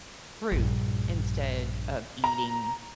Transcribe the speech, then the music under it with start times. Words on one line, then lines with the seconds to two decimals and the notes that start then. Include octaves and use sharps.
fruit instead of eating
0.52 A#1 G2
2.24 A#5